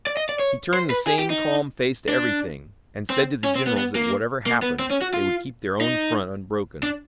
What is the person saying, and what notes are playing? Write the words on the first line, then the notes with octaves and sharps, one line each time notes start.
He turned the same calm face to everything, and said to the generals that whatever happened they would keep their own front unbroken.
D5
D#5
D5
C#5
C5
B4
G#4
G4
D#4
D4
C4
C#4
C4
B3
B3
A#3
A#3
B3
C4
C#4
F#4
F4
D#4
D4